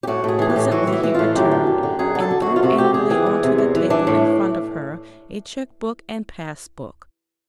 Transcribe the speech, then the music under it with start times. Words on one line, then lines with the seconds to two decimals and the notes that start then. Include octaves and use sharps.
Presently he returned, and threw angrily on to the table in front of her a cheque-book and pass-book.
0.03 G4
0.07 A2 F#4
0.24 A2 G#4
0.39 E3 G#4
0.50 G4
0.56 A2
0.71 E3 F#4
0.87 E3
0.92 E4
1.03 E3
1.14 A2 F4
1.35 F#2 G4
1.51 D3
1.67 F#2
1.83 D3
1.99 F#2 G#4
2.15 D3 A4
2.31 D3
2.42 F#2 F#4
2.56 F4
2.63 C3 F#4
2.78 C3 G4
2.94 E2 G#4
3.10 E3 G#4
3.26 E2
3.43 C3
3.58 E2
3.75 E3
3.90 E3 D4
4.07 A2